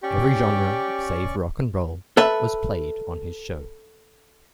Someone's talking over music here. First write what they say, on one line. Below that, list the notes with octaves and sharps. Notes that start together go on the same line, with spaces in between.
Every genre save rock and roll was played on his show.
C#4 G4 D5 C#6
A4 B4 E5